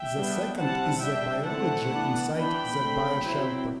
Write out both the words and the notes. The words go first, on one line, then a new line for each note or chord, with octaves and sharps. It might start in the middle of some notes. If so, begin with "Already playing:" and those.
The second is the biology inside the bioshelter.
Already playing: E5 G5
G3 B3 D4
G3 C4 E4 F#5 A5
G3 D4 E5 G5
D3 A3 C4 E4 F#5 A5
E3 B3 D4
E3 B3 D4 G5 B5
D3 A3 C4
F#3 C4 E4